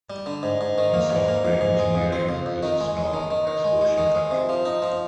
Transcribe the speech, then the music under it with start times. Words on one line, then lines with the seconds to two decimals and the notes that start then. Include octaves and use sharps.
In software engineering, this is known as version control.
0.10 G3
0.26 D3
0.43 G#2
0.61 G#2
0.78 D#3
0.94 A#3
1.10 G#2
1.28 A#3
1.45 G#2
1.61 G#2
1.79 G#3
1.95 F2
2.12 C4
2.29 F2
2.46 F2
2.63 D#3
2.80 G#3
2.97 G#3
3.13 D#3
3.31 D#3
3.47 D#3
3.64 G#3
3.81 G#3
3.98 D#3
4.15 G#3
4.31 C3
4.49 F3
4.65 D#4
4.82 F3